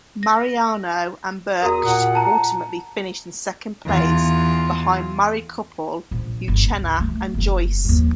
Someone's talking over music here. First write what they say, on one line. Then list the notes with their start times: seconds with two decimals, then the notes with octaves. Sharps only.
Mariano and Brkich ultimately finished in second place behind married couple, Uchenna and Joyce.
0.23 A#6
1.62 E2 F#4 A#4 A#5 D#6
1.86 A#2 F#5
2.15 A5 A#5
3.85 E2 F4
6.11 A#1
6.48 G1
6.64 C#2
7.00 A3 C#4
7.34 F#1 F#2
7.85 D#2 F3